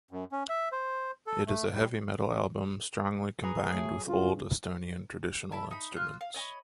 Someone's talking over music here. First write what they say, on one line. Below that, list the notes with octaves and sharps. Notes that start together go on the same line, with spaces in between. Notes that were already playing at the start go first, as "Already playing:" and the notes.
It is a heavy metal album strongly combined with old Estonian traditional instruments.
F#2
C#4
E5
C5
A4
A3
G3
G#4 B4 A#5
F#3 A3 G#4
G2 C#3 F4
E4 A5 B5
D#4 B5
F4 F6 F#6
F5
C#5 D#5 G#5 B5